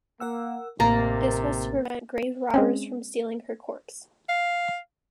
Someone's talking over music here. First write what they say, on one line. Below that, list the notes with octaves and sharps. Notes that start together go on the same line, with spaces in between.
This was to prevent grave robbers from stealing her corpse.
A#3 A#4 F#5 E6
A1 A2 C3 D#3 A#3 A#5 A6
G#3 C4 C#4
F5